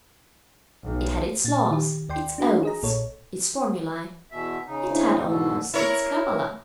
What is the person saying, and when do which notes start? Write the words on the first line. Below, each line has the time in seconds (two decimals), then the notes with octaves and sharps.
It had its laws, its oaths, its formulae--it had almost its cabala.
0.85 B1
1.45 A#2 A6
1.69 D#3 G4
2.09 D#2 D5 G5 C6
2.38 D4 F#4 B4 C6
2.63 G#4 D#5 A#5
2.82 A#1 A#2 A4 C#5
4.32 E2 B2 E5
4.67 C#3 D#4
4.91 D4 E4 C5
5.26 G#2 B2 D3 E3
5.74 E4 A#4 C#5